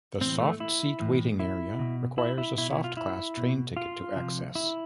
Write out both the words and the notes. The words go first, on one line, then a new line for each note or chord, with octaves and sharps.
The Soft Seat waiting area requires a Soft Class train ticket to access.
A2 E3 C4
A3
E4
A2 E3
E4
B2
E4
E4
B2 E4
E4
F4
E4
B2
F4
C3 F3
E4